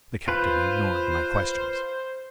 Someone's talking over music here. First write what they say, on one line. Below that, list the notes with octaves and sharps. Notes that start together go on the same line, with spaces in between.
The Captain ignored my questions.
F4 B4 C5